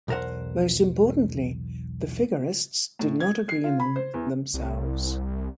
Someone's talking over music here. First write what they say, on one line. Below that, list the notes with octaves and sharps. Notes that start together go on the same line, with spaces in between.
Most importantly, the Figurists did not agree among themselves.
B1 E2 A#4 C5 F#5
A2
G#6
C7
F4
B5
C5
E2
C2